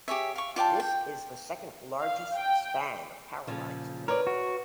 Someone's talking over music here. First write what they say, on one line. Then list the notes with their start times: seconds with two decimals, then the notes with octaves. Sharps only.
This is the second largest span of power lines in the world.
0.08 G4 G#4 C#5 E5
0.36 F5 C#6
0.56 F4 D5 G5 A5
0.80 G5
2.01 F5
2.37 G5
3.47 A#2 C#3 F3
4.08 A#4 B4 C#5 D5
4.27 F#4